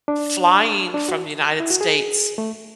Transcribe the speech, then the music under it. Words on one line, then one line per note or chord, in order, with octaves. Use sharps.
flying from the United States
D4
D4
F#4
E4
F#4
G#4
A3